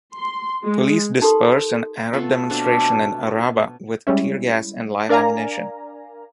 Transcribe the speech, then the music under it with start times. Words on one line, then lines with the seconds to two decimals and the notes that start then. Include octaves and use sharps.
Police dispersed an Arab demonstration in Arraba with tear gas and live ammunition.
0.16 C6
0.64 G#3
1.22 D#4 G4 A4 A#4 C6 D#6
2.13 A3 B3 F4 A4
2.50 B2 A3 C4 D4
4.07 G3 G#3 C#4 E4
5.09 D4 A#4 D5 F5 G#5 A#5